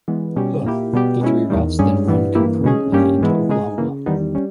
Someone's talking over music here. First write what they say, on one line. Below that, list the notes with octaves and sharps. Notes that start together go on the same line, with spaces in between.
The three routes then run concurrently into Oklahoma.
E3 G#3 B3
B2 G3 C#4 G4
A#2 A#3 E4 G4
B2 G3 B3 G4
B2 G#3 C#4 E4
E2 D#3 G3
G2 G3 C#4 G#4
G2 E3 G3 B3
G2 E3 A#3 E4 G4
B2 G#3 C#4 G#4
G2 G3 A#3 C#4 G4
G#2 E3 G#3 B3 E4
C#3 G#3 D#4 G#4
C#3 E3 A#3
E2 D#3 G3 B3 D#4
G3 C#4